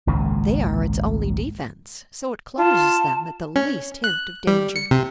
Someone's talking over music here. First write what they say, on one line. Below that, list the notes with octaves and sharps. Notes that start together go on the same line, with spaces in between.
They are its only defence, so it closes them at the least hint of danger.
G#1 C#2 A#2 C#3
F4 A5
C#4
F#6
G3
C#7
C3